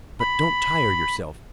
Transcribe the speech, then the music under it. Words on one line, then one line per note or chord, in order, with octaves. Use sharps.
But don't tire yourself.
B5